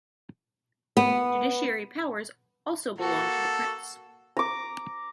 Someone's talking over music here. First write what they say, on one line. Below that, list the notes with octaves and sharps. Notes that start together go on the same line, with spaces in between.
Judiciary powers also belong to the Prince.
B3
A#3 F#4 A4
A#5 D6